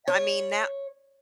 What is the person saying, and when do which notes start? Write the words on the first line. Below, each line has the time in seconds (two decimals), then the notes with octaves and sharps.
I mean that
0.08 C#5